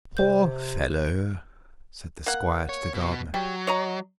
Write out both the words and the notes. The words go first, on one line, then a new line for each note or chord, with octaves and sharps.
"Poor fellow," said the squire to the gardener.
C3 C5 G6
A#3 F#5
C#5
B2
F#3 G3
C#5 D#5 A#5